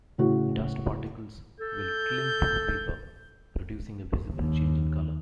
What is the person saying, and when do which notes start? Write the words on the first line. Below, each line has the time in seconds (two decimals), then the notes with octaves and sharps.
Dust particles will cling to the paper, producing a visible change in color.
0.18 A2 C#3 E4 F#4
1.60 A4 G6
4.34 D#2